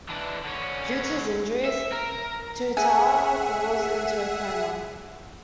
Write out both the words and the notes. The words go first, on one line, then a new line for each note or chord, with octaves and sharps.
Due to his injuries, Tuatara falls into a coma.
E3 D4
D3 C#4
E5
A#4
G#4 E5 F#5 G#5